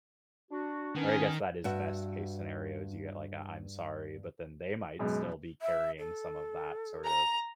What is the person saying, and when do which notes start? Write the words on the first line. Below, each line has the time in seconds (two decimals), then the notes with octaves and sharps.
or I guess that is best-case scenario is you get like, a "I'm sorry," but then they might still be carrying some of that sort of
0.51 D4 F#4
0.96 D#3 B3 C#4 D4
1.64 G2 F#4 E5
4.99 F#2 B2 G#3
5.62 E5
5.99 A4
7.06 A#5